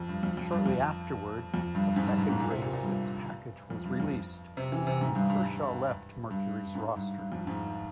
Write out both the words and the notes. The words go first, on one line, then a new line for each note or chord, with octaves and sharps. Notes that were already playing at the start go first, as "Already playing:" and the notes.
Shortly afterward, a second greatest hits package was released, and Kershaw left Mercury's roster.
Already playing: F2
G2
F2
F2
G2
F2
F2
G2
G#2
G2
G2
G#2
A#2
C3
A#2
A#2
G2
F2
G2
F2
C3
E3
C3
G#2
G2
G2
G2
G2
G#2
G2
G2
F2
G#2